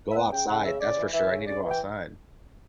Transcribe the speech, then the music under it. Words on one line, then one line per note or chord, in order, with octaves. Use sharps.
Go outside, that's for sure, I need to go outside.
E5
B3 F#5
C#3 G5
C#3 F#5
C#3 E5
C#3 D5
E3
E3 E5
C#3
C#3 D5
E3
G5